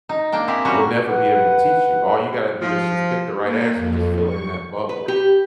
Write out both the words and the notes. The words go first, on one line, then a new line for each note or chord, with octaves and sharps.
will never be able to teach you. All you gotta do is just pick the right answer, just fill in that bubble.
D#4
A#3 D4 G5
C4 E4 G4 G#4
G3 A#3 C#4 F#4
B4 F#5
F3
A#3
F2
C#6
B4
G4